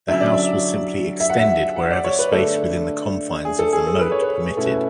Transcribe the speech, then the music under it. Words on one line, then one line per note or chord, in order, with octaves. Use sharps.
The house was simply extended wherever space within the confines of the moat permitted.
D3 F#3 C#4 E4 E5
D5
E5
E5
F#5
E5
F#5
D5
C#5
B4
D3 A3 D4 A4
G#4
A4
G#4
A4
B4
C#5
B4
B2 A3 C#4 E4